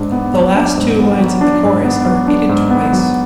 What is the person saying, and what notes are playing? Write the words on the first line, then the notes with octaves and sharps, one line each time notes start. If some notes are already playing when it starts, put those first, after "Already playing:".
The last two lines in the chorus are repeated twice.
Already playing: G#2 D4
B3
F#3
D4
G#2
B3
F#3
D4
G#2
B3
F#3
D4
G#2
B3
F#3